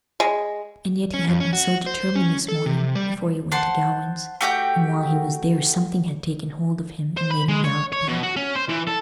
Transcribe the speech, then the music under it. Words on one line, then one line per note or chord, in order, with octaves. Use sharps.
And yet he had been so determined this morning, before he went to Gawaine's; and while he was there something had taken hold of him and made him gallop back.
G#3
C#4
F2
C#4
F#4
C5
C#4
A4
C3
G3
C5 F#5 A5 C6
A3 F#4 G4 G5
C5
B5
G#3
C#5
C#5
B2
F#4
C#4
C5
E3
A4